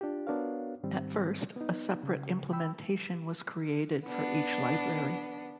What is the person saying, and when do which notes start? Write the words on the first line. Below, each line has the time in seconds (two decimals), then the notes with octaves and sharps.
At first a separate implementation was created for each library.
0.01 D4 F4 G4
0.27 B3 D4 F#4 A#4 C#5 F5
0.83 G#2 D#3 G3 C4
1.56 B3 D#4
2.03 C#3
2.53 G5 B5 E6
4.06 B3 D4